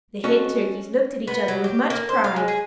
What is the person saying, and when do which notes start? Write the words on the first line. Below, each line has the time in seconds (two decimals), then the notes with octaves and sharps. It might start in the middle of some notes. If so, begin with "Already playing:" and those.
The Hen Turkeys looked at each other with much pride.
0.24 C#4 F#4 A4 D#5
1.27 B3
1.48 F#3
1.64 G4
1.90 A#3
2.09 C5
2.24 F5
2.36 G#3
2.48 G#4